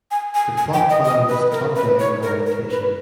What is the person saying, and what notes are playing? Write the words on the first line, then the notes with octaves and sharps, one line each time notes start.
The plot plan is a 'top-down' orientation.
G#5
G#5
G#5
G5
D#5
D#5
B4
A#4
B4
C#5
A#4
A#4
B4